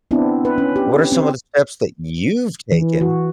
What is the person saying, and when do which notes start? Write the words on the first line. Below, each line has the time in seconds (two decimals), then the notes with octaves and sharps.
What are some of the steps that you've taken?
0.11 B3 C4 D4 E4
0.45 B4
0.58 C#4
0.76 G4
1.12 C4
2.72 E3
3.01 F#4